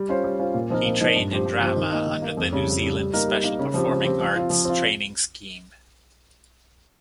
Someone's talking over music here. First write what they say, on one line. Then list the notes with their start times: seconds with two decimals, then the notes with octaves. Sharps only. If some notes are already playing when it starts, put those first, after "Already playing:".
He trained in drama under the New Zealand Special Performing Arts Training Scheme.
Already playing: G3
0.09 C#4 F4 C5
0.24 G3
0.39 C#4 F4 C5
0.54 A#2
0.70 F3 C4 D#4 A#4
0.85 A#2
1.01 F3 C4 D#4 A#4
1.16 G2
1.31 F3 C4 G4 C5
1.46 G2
1.61 F3 C4 G4 C5
1.76 D#3
1.92 A#3 D#4
2.07 D#3
2.22 A#3 D#4
2.37 F2
2.53 C#3 G3
2.68 F2
2.83 C#3 G3
2.98 G3
3.13 A#3 D#4 A#4
3.28 G3
3.44 A#3 D#4 A#4
3.59 C#3
3.74 F3 C4 G4
3.89 C#3
4.04 F3 C4 G4
4.20 F3
4.35 C4 F4
4.50 F3
4.65 C4 F4